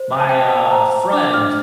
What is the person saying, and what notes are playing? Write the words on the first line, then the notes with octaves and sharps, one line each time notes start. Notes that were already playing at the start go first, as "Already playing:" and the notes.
my, uh, friend,
Already playing: C5
A5
C5 G5
A5
C5 A#5
D4 D6
F6